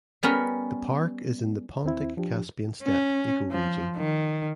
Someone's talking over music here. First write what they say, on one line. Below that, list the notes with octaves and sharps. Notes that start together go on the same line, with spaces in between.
The park is in the "Pontic–Caspian steppe" ecoregion.
G3 B3 C#4 A#4
D#2 C4 E4
F3 D4 G4
C#4
F3
D#3